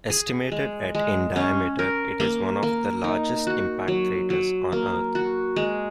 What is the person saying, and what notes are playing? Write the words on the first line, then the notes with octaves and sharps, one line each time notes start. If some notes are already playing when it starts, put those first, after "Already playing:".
Estimated at in diameter, it is one of the largest impact craters on Earth.
G#4
G#3
G#3
C#4
A#4
A#3
A#3
D#4
F#4
F#3
F#3
A#3
F#4
G#3